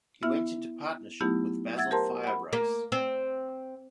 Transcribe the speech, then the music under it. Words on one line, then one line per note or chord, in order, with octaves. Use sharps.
He went into partnership with Basil Firebrace.
B3 E4 E5 F6
F#3 A3 B3 D#4 E4 G4
E5 F#5 E6 G#6 A6
G4 A#4 C5 A5 A#5 C6
F#5 B5
A#3
C4